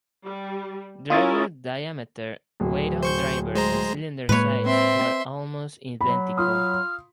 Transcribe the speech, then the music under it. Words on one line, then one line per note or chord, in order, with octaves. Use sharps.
Driver diameter, weight on drivers and cylinder size were almost identical.
G3
C#4 E4 F4 A#4 D#6 A6
D1
C5 C#6 G6
G#3 C5 A#5
A2 G#3 A#3 B4 C#5
C4 E5 C6
F#3 B5
F4 C6 D#6 F6